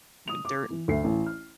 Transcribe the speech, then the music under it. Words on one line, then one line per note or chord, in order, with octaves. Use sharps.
mm dirt and
D#6 F7
D6
E3
D2 A4 E5 C7
A1
F6